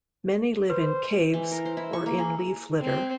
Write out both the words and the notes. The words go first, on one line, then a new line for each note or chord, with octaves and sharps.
Many live in caves or in leaf litter.
B4 C5
E3
A#4
C5
E4
C#6
A#3
G#4
C4